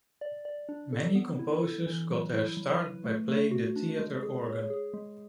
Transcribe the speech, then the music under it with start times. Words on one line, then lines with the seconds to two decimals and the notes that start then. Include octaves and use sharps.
Many composers got their start by playing the theatre organ.
0.21 D5
0.45 D5
0.69 D4
0.93 A4
1.15 B3
1.39 E4
1.63 A4
1.86 E3
2.11 F#3
2.34 E4
2.57 F#3
2.80 B4
3.04 A3
3.28 A3
3.51 F#4
3.76 D4
3.99 G#3
4.23 G#4
4.46 C#5
4.70 G#4
4.94 G#3